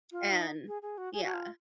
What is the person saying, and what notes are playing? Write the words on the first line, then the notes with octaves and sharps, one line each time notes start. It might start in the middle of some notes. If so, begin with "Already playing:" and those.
and yeah,
F4
D#4
G#4
G#4
F#4
G#4
F#4
F4